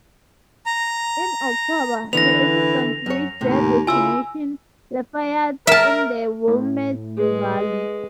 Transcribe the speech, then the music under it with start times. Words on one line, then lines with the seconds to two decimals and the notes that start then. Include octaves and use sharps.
In October, the emigrants reached their destination, Lafayette, in the Willamette Valley.
0.66 A#5
2.13 D3 E3 B3 A#6 F7
3.06 F#2 C#5
3.41 D#2 A2 C3
3.87 C#3 E4 F4 G#5 E6
5.67 A#4 E5 A5
6.48 A2
7.17 G#3 G#4 B4